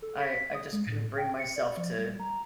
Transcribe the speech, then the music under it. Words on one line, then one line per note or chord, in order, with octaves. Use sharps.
I I just couldn't bring myself to
A4
B6
D#6
G#3
A2
G5
C#7
D5
F3
G3
A#5